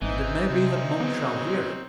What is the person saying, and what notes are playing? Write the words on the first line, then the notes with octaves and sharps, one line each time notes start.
And it may be that Mung shall hear.
G#1 E3 C4 D#4
D2 C3
C#3 F#3 B3